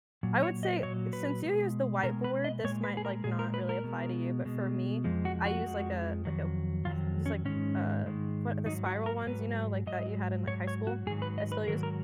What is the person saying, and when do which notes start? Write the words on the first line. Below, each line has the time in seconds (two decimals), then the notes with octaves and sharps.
I would say since you use the whiteboard this might like not really apply to you but for me, I use, like, a like, a I use, like, uh, what the spiral ones, you know, like, that you had in, like, high school. I still use
0.23 A#2 F#3
0.43 C#5
0.63 D#5
0.83 A#2 F#3 C#5
1.13 B4
1.44 B2 G#3
2.03 B2 A#4
2.06 G#3
2.24 B4
2.44 D#5
2.64 A#2 G#3 C#5
2.84 B4
2.97 G#4
3.05 A#4
3.24 A#2 G#3 G#4
3.39 A#4
3.54 B4
3.69 A#4
3.84 B2 G#3
4.45 B2 G#3
5.04 F2 F3 G#3
5.25 F#4
5.46 F#4
5.66 F2 F3 G#3
6.25 F2 D#3 F#3
6.85 F2 D#3 F#3 F4
7.26 C#4
7.45 G#2 D#3 G#3 C#4
8.06 G#2 D#3 G#3
8.66 G#2 F#3 D#4
8.86 F#4
9.06 A#4
9.26 G#2 F#3 B4
9.87 G#2 F#3 D#5
10.47 G#2 F#3 C#5
10.67 C#5
10.87 F#4
11.06 G#2 G#4
11.10 D#3 F#3
11.22 B4
11.38 D#5
11.52 B4
11.67 G#2 D#3 F#3 A#4
11.83 A#4